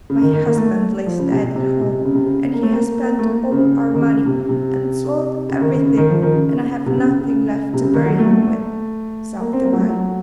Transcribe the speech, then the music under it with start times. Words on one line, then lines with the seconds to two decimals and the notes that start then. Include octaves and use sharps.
'My husband lies dead at home, and he has spent all our money, and sold everything, and I have nothing left to bury him with,' sobbed the wife.
0.10 C#3
0.22 D#3
0.33 D#3
0.46 A#3
0.58 A3
1.07 F3
1.19 C#3
1.31 C3
1.44 C3
1.56 C3
1.81 C3
2.05 C#3
2.15 C3
2.26 C#3
2.54 A#3
2.63 A3
2.73 A#3
3.04 A#3
3.19 A3
3.28 A#3
3.52 C#3
3.94 D#3
4.01 C#3
4.26 C3
4.49 C3
5.49 C#3
5.61 D#3
5.73 C#3
5.85 C#3
5.97 D#3
6.10 F3
6.22 D#3
6.34 C#3
6.86 C3
6.95 C#3
7.20 C#3
7.74 C3
7.84 C#3
7.94 D#3
8.06 F#3
8.19 A3
8.25 F#3
8.31 A3
8.42 A3
9.40 A#3
9.53 C4
9.65 A#3
9.73 F#3
9.77 A3
9.89 F#3